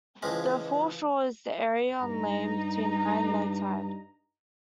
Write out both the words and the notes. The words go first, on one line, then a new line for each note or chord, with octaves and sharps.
The foreshore is the area on land between high and low tide.
C#2 E3 F3 G#3
G2 D#4 A#5